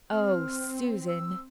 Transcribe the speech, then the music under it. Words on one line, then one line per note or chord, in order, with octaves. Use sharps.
"Oh, SUSAN!"
C4 F6
E6